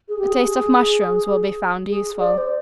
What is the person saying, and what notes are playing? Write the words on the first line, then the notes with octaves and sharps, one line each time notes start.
A taste of mushrooms will be found useful.
G#4
G4
G#4
G#4
D5
C5